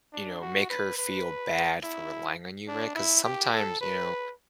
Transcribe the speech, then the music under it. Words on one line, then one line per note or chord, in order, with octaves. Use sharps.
you know, make her feel bad for relying on you, right? 'Cause sometimes, you know
D4
F#4
B4
B4
E4
D4
E4
G4
A4
B4